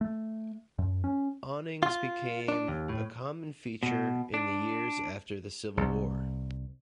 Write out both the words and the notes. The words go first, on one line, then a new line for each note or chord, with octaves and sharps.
Awnings became a common feature in the years after the Civil War.
A3
F#2
C#4
F4
D4
D#2
A2
B2
D4
C2